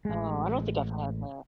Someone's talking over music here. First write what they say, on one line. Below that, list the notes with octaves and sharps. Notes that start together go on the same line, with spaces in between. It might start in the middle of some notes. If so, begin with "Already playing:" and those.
Oh, I don't think I've had that.
A1 G#3